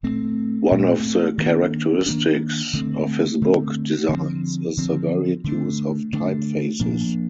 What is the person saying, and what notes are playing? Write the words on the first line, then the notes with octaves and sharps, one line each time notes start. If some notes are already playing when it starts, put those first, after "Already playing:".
One of the characteristics of his book designs is the varied use of typefaces.
A#2 A3 C4
A#2 A3 C4
D#3 A#3 D4
D#3 A#3 D4
D3 A3 C4
D3 A3 C4
D3 F3 C4
D3 F3 C4
D3 A3 D4
D3 A3 D4
A#2 F3 A#3 D4